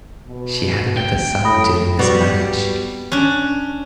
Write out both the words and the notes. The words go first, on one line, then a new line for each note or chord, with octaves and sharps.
She had another son during this marriage.
B2
G5
A2 B5 D#6 A#6
G3 B3 F#4
C#4 D4